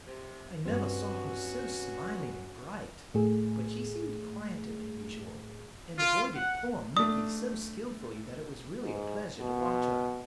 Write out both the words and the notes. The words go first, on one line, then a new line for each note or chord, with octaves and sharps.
I never saw her so smiling and bright; but she seemed quieter than usual, and avoided poor Micky so skilfully that it was really a pleasure to watch her.
C3
G2 C4 C#4 F#4
A2 A3 G#4
F4
F#5
A3 D4 D#6
G#2
B2